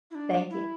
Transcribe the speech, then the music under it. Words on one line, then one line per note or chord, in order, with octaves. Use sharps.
thank you.
E4
D4
E4